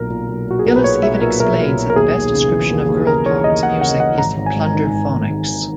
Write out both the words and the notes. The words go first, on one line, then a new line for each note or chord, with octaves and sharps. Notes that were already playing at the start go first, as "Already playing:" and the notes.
Gillis even explains that the best description of Girl Talk's music is Plunderphonics.
Already playing: B1 A#2 A#4
A#2
B1
A#2 F#4
G#4
B1 A#4
B4
A#2 C#5
B1 E5
A#2 A#4
B1 A#4
A#2
B1
A#4
D#2 G#4
D#2
C#3
E3
D#2
D#2
C#3 A#4
E3 C#5
D#2 D#5
D#2 F#5
C#3 F#5
E3 F#5
G#1 A#5
G#1
G#5
G#2
D#3
G#1
G#1
G#2
D#3